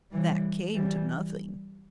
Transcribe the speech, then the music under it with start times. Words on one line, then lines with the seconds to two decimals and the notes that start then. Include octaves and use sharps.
That came to nothing!
0.11 E3 G3
0.74 E3 G3